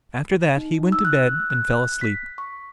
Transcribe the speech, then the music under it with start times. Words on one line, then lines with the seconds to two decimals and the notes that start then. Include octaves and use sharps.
After that he went to bed and fell asleep.
0.57 D#4
0.92 E6
1.05 F#6
1.50 F#6
2.01 B6
2.38 C#6